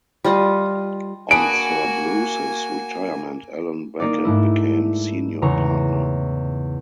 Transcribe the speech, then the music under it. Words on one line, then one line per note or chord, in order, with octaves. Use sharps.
On Sir Bruce's retirement Allan Beckett became senior partner.
G3 F4 D#5
A#3 D4 F#4 G#4 B4 G#5 D7
A#3 D#4 D5
G#2 A3 E4
E2 C#3 A#5 C6 C#6